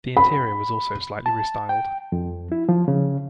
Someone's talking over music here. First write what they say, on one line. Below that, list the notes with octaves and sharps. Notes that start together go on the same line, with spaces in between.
The interior was also slightly restyled.
B5
A5
G5
F2
E4
F3
C#3